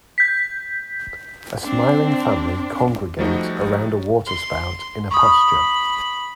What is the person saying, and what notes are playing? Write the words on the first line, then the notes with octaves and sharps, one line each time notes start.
A smiling family congregate around a water spout in a pasture.
G6 B6
C4 D4
F3 G3 A3 D#4 F#4
C6
B5 C#6 D#6